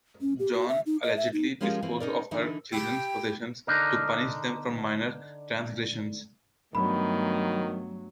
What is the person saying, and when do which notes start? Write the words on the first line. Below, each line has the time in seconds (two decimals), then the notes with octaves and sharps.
Joan allegedly disposed of her children's possessions to punish them for minor transgressions.
0.21 C#4
0.39 G4
0.53 F#4
0.68 E5
0.86 D#4
1.03 D#5
1.16 E5
1.33 D#4
1.61 F3 G#3 C#4 F4 G4 A#4
1.83 E3 F3 A#3 C4
2.00 C#4 D#4 A#4 D5
2.31 D3 E3 D#4 E4
2.73 E4 G4 G5
3.67 D3 D4 D#4 A#4
6.75 G2 D#3 F#3 A3 B3 B5